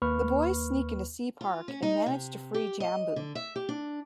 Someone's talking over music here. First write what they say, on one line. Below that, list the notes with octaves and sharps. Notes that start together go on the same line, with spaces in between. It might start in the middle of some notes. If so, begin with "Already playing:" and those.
The boys sneak into Sea Park and manage to free Jambu.
D#2 A#3 B4 B5 C#6 F6
F4
C#4
D#4
C3
G4
D#5
D3
E5
G4
D4